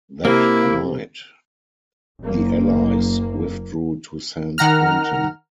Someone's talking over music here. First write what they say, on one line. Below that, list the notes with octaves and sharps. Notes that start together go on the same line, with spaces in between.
That night, the Allies withdrew to Saint-Quentin.
C3 A#3 E4
F#1 A#3
D#3 F#5 A#5 F6